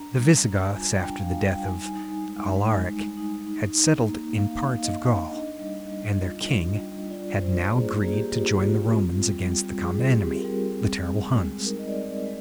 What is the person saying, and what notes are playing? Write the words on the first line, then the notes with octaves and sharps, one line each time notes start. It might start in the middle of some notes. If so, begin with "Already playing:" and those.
The Visigoths after the death of Alaric had settled in parts of Gaul, and their king had now agreed to join the Romans against the common enemy--the terrible Huns.
Already playing: D4 A#5
G3
G3
F4 G#5
G5
D4
F5
G3
G5
D#4 G#5
D#4
G#3
G#3
D#4
D#4
D#4
D#4
A#3
A#3 F5
F5
D#4
D#5
D#4
F5
D4 D#5
G3
G3
F4
D4
G3
F4 D5
F4 C5
A#3 G#4
A#3 G#4
G4
F4
G4
F4
C4
G3
G3
F4 G#4
C4 G4
A#4
G3 G#4
C4
G#3
G#3
D#4 A#4
D#5
D5
C4
G#3